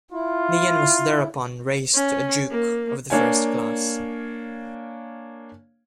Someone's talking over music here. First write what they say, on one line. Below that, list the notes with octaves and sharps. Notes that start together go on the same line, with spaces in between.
Nian was thereupon raised to a Duke of the First Class.
E4 F4
C#4
A#3
A#3 D4 C#5 F5 G#5